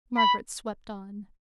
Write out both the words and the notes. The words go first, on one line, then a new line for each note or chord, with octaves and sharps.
Margaret swept on.
B5